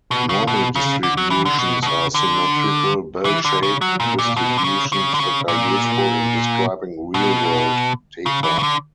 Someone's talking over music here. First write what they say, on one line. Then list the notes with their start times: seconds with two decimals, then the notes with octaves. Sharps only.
Normal distributions are symmetrical, bell-shaped distributions that are useful in describing real-world data.
0.11 B2
0.29 C#3
0.47 B2
0.76 C#3
1.03 D3
1.17 F#3
1.31 E3
1.45 D3
1.58 B2
1.83 B2
1.87 C#3
2.14 D3
3.25 E3
3.45 D3
3.63 C#3
3.81 F#3
4.00 A#2
4.18 A#2
4.36 B2
4.58 D3
4.64 C#3
4.93 C#3
5.14 D3
5.20 C#3
5.48 A#2
7.14 B2
8.26 C#3
8.44 E3
8.59 C#3
8.63 D3